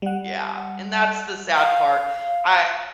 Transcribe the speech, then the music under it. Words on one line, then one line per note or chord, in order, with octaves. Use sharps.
Yeah, and that's the sad part. I
G3 F#5
F5